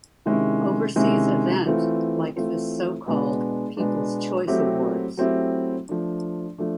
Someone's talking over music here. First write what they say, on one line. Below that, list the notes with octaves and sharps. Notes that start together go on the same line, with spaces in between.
Overseas event like this so-called "People's Choice Awards".
C3 D#3 G#3 C#4 E4
C3 D#3 G#3 C#4 E4
E3 A3 C4 F4
E3 A3 C4 F4
B2 G#3 B3 D4
B2 G#3 B3 D4
F#3 A3 C4 E4 G4
F#3 A3 C4 E4 G4
F3 A3 D4
F3 A3 D4